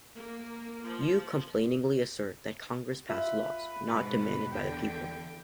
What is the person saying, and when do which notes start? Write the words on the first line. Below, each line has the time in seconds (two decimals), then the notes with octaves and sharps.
You complainingly assert that Congress passed laws not demanded by the people.
0.15 A#3
0.85 F3
3.09 F4 B4 E5
3.86 G#2 B2
4.51 E2 D3 G5